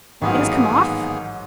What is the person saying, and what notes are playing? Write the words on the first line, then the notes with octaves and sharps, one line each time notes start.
"It has come off?"
A1 G#2 D#3 F#3 A#3 B3 G#4